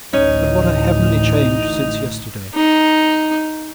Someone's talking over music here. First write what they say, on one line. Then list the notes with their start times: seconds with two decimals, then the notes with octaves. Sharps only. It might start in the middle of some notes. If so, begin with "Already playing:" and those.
But what a heavenly change since yesterday!
0.13 A1 D2 E3 C#4 D#4
2.54 D#4